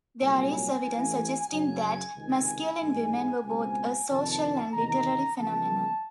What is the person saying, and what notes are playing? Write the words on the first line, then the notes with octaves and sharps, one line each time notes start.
There is evidence suggesting that masculine women were both a social and literary phenomenon.
C2 A#2 F#3 G#5
A1 A2 E3
F#2 C#3 F#3 G#5
C#2 C3 D#3
A1 G#2 E3 G#3
C#2 B2 G#3 C4 G#5
F2 C3 D#3 A5
E2 C3 D#3 A#5
E2 C#3 F3 A#3 A5